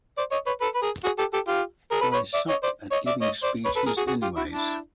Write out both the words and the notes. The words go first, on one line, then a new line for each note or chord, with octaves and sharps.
I suck at giving speeches anyways.
C5 D5
C#5 D#5
B4 C#5
A4 B4
B4
G#4 A#4
F#4 G#4
G4 A4
G4 A4
F4 G4
G#4 A#4
A4 B4
B4 C#5
D5 E5
C#5 D#5
C5 D5
C#5 D#5
D5 E5
C#5 D#5
C5 D5
B4 C#5
A4 B4
G#4 A#4
F#4 G#4
F#4 G#4
F4 G4
E4 F#4
D4 E4